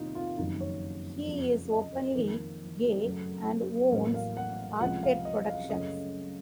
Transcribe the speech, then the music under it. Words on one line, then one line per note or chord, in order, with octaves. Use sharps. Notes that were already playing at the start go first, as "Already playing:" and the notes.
He is openly gay and owns Arcade Productions.
Already playing: C2 C3 D#3 A#3 D#4 F4
F4
F#1 F2 D#3 F#3 D#4
C#5
F1 F2 C#3 F3
D#5
C5
F2 D#3 A#3 A#4
F#2 C#3 F#3 A3
A1 A2 F#3 A#3 A#4
F5
F#5
C#2 C3 F3 F#5
F5
D#5
F5
F#2 C#3 A3 D#5